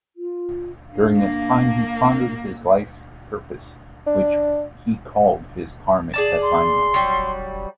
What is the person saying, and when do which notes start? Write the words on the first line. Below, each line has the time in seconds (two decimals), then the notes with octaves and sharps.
During this time, he pondered his life's purpose, which he called his karmic assignment.
0.17 F4
0.87 D4 F5
1.17 A#3
4.07 D4
6.14 G#4 D5 A5 E7
6.42 C6
6.94 F#3 G3